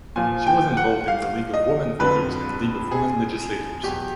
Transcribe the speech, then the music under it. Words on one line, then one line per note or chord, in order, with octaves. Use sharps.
She was involved in the League of Women Voters and League of Women Legislators.
A#2 F3 G#5
G5
F#5
F5
D#5
F2 D3 F#3 B4
G#4
E2 B2 F#3 G4